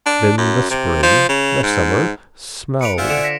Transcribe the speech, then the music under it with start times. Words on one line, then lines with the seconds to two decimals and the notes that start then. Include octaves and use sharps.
Then the spring, the summer: smells.
0.06 D4
0.38 F#2
0.71 C3
1.03 F3
1.29 C#3
1.63 G#2
2.81 B4 C#7 D7 F7
2.98 F4 C5 D5 E5 F#5 G#5
3.10 D3 D7 E7
3.24 A#6 B6 E7